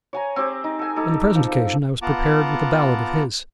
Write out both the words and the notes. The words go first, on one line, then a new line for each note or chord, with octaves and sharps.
On the present occasion, I was prepared with a ballad of his.
C#5 G#5 A#5
C4 G4 G#4
D#4
A4 G#5
D#4 G4 A4
F3
B3 F4 F#5 A5 A#5 D6